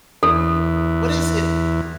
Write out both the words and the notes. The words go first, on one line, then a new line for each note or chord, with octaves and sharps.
u what is it
E2 A4